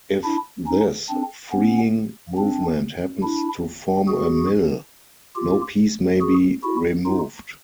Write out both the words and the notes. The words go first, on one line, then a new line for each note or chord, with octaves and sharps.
If this freeing movement happens to form a mill, no piece may be removed.
D4 E4
C#4 D#4
C4 D4
B3 C#4
C4 D4
D4 E4
F#4 G#4
F4 G4
F#4 G#4
E4 F#4
D#4 F4